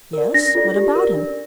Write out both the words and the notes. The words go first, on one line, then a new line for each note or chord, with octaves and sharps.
"Yes, what about him?"
A#4 D5
D4 A#6
F4 A4 D5
G4
A#4 D5
D4